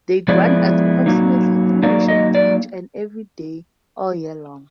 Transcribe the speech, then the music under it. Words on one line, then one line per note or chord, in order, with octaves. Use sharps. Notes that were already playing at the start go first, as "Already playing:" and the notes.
They grant approximately three wishes each and every day, all year long.
F3 G#3 B3 E4 D5
F#3 A#3 D#4
F#3 A#3 D#4 D5
D#5
D5